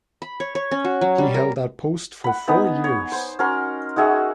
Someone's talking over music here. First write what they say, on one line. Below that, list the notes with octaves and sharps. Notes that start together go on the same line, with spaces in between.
He held that post for four years.
B5
C#5
C#5
C#4
F#4
F#3
G3
A#4
F#5 B5
B3 D#4 G#5 D#6
C#5
C5
C#4 F#4 A#4 C6
D#4 F#4 G#4 E5